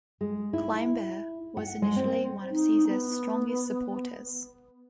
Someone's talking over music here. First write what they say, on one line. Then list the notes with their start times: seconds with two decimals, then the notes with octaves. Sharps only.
Cimber was initially one of Caesar's strongest supporters.
0.21 G#3
0.53 E4
1.57 F#5
1.82 G#3
1.96 C4
2.51 D#4
2.88 B3